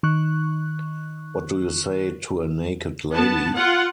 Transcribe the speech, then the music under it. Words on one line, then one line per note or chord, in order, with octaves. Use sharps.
What Do You Say to a Naked Lady?
D#3 C#6 F#6
B3 A5
F4 F#5